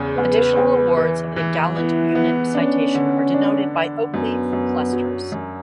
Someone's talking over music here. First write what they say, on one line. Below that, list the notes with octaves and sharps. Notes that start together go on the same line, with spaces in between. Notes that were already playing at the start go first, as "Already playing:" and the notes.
Additional awards of the Gallant Unit Citation are denoted by oak leaf clusters.
Already playing: E2 C#3
E2 B4
E2
E3
E3
B3 E4
B3
C#4 D4
D3
D4
D4
F#2 B3
F#2
F#3
F#2